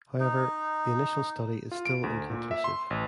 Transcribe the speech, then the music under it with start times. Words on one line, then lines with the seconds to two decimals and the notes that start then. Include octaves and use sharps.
However, the initial study is still inconclusive.
0.20 D#4
1.71 F4
1.86 D7
2.03 D2
2.30 A#2
2.51 E5
2.64 C6
2.90 A1